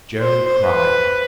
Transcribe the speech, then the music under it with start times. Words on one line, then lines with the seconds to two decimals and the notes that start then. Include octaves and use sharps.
Joe cried.
0.22 C5
0.65 B4